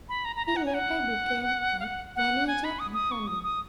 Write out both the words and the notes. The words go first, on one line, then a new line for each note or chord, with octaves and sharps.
He later became a manager and pundit.
B5
A#5
A#5
A#5
F#5
G#5
F#5
F5
F#5
F#5
G#5
B5
D#6
D#6
C#6
D#6
D#6